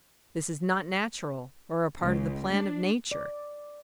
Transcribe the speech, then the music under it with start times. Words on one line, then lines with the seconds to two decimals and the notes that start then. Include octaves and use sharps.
This is not natural, or a part of the plan of nature.
2.00 C#2
2.53 D4
3.11 D5